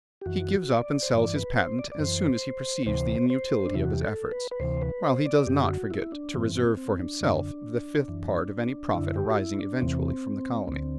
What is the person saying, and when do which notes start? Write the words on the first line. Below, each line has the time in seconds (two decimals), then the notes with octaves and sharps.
He gives up and sells his patent as soon as he perceives the inutility of his efforts, while he does not forget to reserve for himself the fifth part of any profit arising eventually from the colony.
0.21 G4
0.26 F#2 E3 F#4
0.70 D5
1.03 C5
1.13 G2 E3 D5
1.35 B4
1.56 C5
1.79 D5
1.92 D5
1.99 F#2 E3 C5
2.86 D2 C3 E3 C5
3.30 C5
3.65 D4
3.74 E2 C3 E3 E4
3.84 F#4
3.93 G4
4.02 A4
4.31 B4
4.51 B4
4.60 D2 C3 E3 C5
4.82 B4
5.04 C5
5.26 D5
5.47 F#2 D3 G4
5.69 F#4
5.91 E4
6.12 D4
6.34 G2 E3 C4
6.55 C4
6.77 C4
7.00 D4
7.21 F#2 D3
8.08 F#2 E3
8.94 F#2 D3 E4
9.16 G4
9.30 F#4
9.38 E4
9.59 D4
9.81 E2 C3 E3 C4
10.68 D2 D3